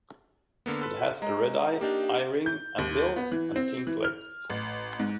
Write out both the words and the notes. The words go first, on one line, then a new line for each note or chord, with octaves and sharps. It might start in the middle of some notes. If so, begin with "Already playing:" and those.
It has a red eye, eye ring and bill, and pink legs.
D3 A#3 B3
A4 B4 C6 F6
G#3 D#5 A#5
A#3 D4 D#4 G4
G6
D#2
B3
E3
C4
E3
F6
A1
G#2